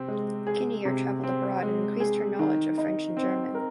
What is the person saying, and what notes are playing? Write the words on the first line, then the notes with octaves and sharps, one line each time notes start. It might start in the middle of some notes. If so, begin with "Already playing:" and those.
Kinnear traveled abroad and increased her knowledge of French and German.
Already playing: C3 C4
G#3
G#4
C3
C4
G#3
G#4
D#3
D#4
C4
A#4